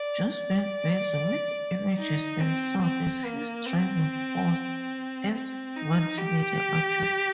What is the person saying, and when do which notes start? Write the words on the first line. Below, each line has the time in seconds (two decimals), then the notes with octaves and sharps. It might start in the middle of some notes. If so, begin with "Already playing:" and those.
Just being busy with images and sound is his driving force as multimedia artist.
Already playing: D5
0.31 D5
1.98 D#4
2.40 C4
2.83 C4
3.25 A#3
3.67 C4
5.34 C4
5.76 D#4
6.18 G4